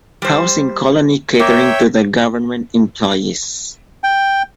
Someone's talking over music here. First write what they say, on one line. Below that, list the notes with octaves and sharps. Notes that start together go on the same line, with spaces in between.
Housing Colony catering to the government employees.
G3 C5
A#3 C#5 E5 G5
G5